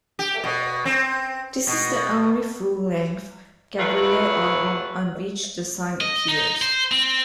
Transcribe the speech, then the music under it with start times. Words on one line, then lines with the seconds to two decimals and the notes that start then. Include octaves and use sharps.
This is the only full-length Gabriel album on which the song appears.
0.19 G4
0.44 B2
0.85 C4
1.67 B2
3.78 E2 F#3 A3 F4 B4 F#5
6.01 D#5
6.28 D#4
6.62 C5
6.92 C4